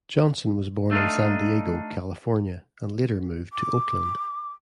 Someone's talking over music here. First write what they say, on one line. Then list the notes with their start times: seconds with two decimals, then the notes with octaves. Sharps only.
Johnson was born in San Diego, California and later moved to Oakland.
0.91 A3 D4 D#4 F4
3.52 D6